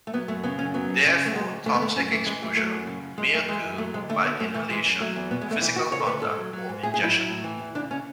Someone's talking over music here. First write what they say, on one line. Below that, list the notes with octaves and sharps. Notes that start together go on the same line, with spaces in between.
Therefore, toxic exposure may occur by inhalation, physical contact, or ingestion.
A3
F#3 B3
F#2 A3
C#3 B3
F#2 C#4
F#3 B3
F#2
C#3
F#2
A3
F#3 G#3
D2
D3 A3
B3
D2 A3
F#2 C#4
E3 A3
E3 G#3
F#2 A3
F#3 A3
F#2
C#3
F#2
F#2 G#3
E3 A3
E3 G#3
F#2
F#3 A3
D2 G#3
D3 A3
D2 B3
F#2 A3
E3 A3
E3 G#3
F#2
F#3 A3
E2
B2 B3
G#3
E2 A3
E3 E4
D2 F#4
C#3 C#5
A4
D2 B4
G#2 A4
F#3
F#3
G#2
A2 G#4
G#4
F#3
E4
F#3
A2
E3
E2
C#3 D4
C#4